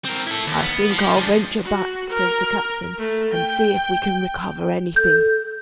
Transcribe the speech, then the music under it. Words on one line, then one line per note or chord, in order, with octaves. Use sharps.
"I think I'll venture back," says the captain, "and see if we can recover anything."
C4 A#4
E4 A4
D#2
B3
F3
G#3 D4
F#4
A#4
A3
G5
A4 G6